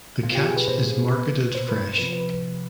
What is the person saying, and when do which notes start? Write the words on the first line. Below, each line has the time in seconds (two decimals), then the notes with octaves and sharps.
The catch is marketed fresh.
0.23 B2 F4
0.35 G4
0.46 G#4
0.56 B4
0.68 B2 C5
1.11 B2 B4
1.55 B2 C5
1.69 B4
1.84 C5
1.98 C3 F3 B4
2.13 B4